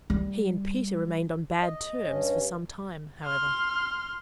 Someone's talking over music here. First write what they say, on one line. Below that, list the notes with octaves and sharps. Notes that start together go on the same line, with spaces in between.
He and Peter remained on bad terms for some time, however.
G3
D#5
G2 C#4
C6 F6